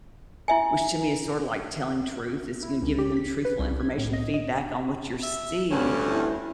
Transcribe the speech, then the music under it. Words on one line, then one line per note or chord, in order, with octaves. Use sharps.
which to me is sorta like telling truth is you giving them truthful information feedback on what you're seeing,
E4 E5 G#5
E4
C#2
G4
B6
B4
C2
G#6
A2
D#5
D#5
E5
D2 G2 C#4
E4